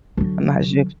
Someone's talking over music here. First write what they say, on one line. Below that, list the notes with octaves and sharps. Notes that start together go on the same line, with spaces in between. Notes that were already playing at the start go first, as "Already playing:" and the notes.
I'm not sure
D3 F#3